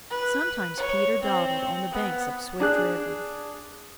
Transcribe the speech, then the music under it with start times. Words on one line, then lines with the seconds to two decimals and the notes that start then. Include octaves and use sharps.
Sometimes Peter dawdled on the banks of Swift River.
0.11 B4
0.77 C#5
1.23 C4
1.92 B3
2.60 D4 G#4 F#6